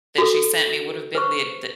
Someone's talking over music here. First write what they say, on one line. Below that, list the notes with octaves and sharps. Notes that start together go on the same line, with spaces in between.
that she sent me would have been the the
F#4 A4
B4 C5 C#6